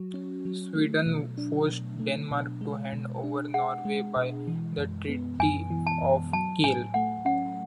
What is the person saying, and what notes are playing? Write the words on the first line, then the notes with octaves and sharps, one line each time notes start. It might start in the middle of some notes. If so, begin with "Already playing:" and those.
Sweden forced Denmark to hand over Norway by the Treaty of Kiel.
Already playing: F#3 F#4
C#4
F#3
A3
B2
D4
B2
A3
B2
G#3
B2
D4
G#4 F#5
G#3
B2
E3
F#2
B3
F#2 G#5
E3
A5
F#2
F#3 A5
A2 G#5
A3 F#5
C#4 F#5